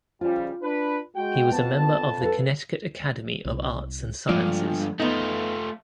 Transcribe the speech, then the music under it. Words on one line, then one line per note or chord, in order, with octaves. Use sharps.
He was a member of the Connecticut Academy of Arts and Sciences.
C#3 F3 G3 F4
D4 B4
G#3 F#4 G5
F2 B3 A5
A4 B4 F5
C2
G2 D3 F3 G#3 A#3 F4 D5
A3 B3 D#4 F4